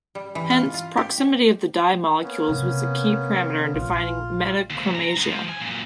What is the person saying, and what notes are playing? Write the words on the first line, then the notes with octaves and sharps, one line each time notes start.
Hence, proximity of the dye molecules was the key parameter in defining metachromasia.
G3
E3
F4
F4
G4
A#3 B3 C#4
C3
A#1 F4
D#2 C3
A#5
G2 B3
F3
G#5
F#2 A#2